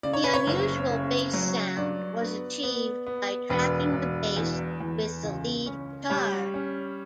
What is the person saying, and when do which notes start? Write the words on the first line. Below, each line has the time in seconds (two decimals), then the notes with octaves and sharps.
The unusual bass sound was achieved by tracking the bass with the lead guitar.
0.03 C#3 D5
0.13 C#5
0.24 B4
0.34 C#5
0.47 F#1
0.90 C#3
1.33 F#3
1.77 G2 D5
2.21 B3
2.63 B3
3.07 B3
3.50 E1 B4
3.93 E1
4.37 E2
4.80 E2
5.23 C#2
5.66 C#4
6.10 G3 C#5
6.54 C#4